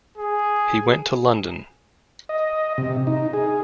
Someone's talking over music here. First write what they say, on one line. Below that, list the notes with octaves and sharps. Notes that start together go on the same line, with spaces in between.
He went to London.
G#4
D#5
C3
D#4
G#4